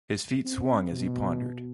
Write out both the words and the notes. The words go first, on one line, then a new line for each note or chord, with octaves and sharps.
His feet swung as he pondered.
C4
B2